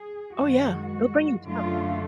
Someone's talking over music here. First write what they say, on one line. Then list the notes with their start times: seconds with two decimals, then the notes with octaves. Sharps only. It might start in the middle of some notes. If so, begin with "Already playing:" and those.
Oh, yeah. It'll bring you down.
Already playing: G#4
0.37 F#2 D#3 G#3 F#4
1.44 F#2 D3 F#3 A3 F4